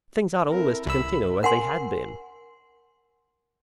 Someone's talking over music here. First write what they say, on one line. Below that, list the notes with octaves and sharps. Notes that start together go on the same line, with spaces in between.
Things ought always to continue as they had been.
C4 E4 A4 A#4
C2 B5 E6
A#4 F#5 G#5 C6